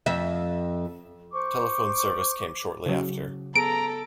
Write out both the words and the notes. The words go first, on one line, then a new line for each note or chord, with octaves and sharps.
Telephone service came shortly after.
F2 E5
C5 C#6 D6
C#3 F#3
B3 G#4 A4 A#5 D7